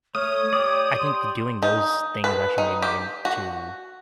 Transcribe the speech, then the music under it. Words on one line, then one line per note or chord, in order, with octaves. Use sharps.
I think doing those things actually made me into
A3 C#5 D#6 F6
G4 D5
C6
D#4
B4
D#4
G4
F#4